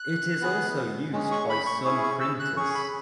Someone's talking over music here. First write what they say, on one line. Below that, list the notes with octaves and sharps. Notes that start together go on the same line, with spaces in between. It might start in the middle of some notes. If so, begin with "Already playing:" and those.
It is also used by some printers.
Already playing: F#6
B3 G#4
G#3 C#4 G#4
C#6
B5
C#6
C#4 E4 G#4 C#6
C#6
E6
F#6
C#4 G#4 C#6
B5